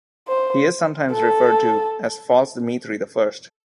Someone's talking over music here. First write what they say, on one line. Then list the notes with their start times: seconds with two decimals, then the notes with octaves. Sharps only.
He is sometimes referred to as False Dmitry the First.
0.28 C5
1.12 A4